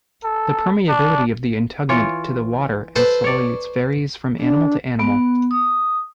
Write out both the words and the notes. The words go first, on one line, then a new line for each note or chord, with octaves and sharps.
The permeability of the integument to water and solutes varies from animal to animal.
A4
D4
E3 F4 C#5
A4 B4 C5
C#5 D5
D4
B3
D#6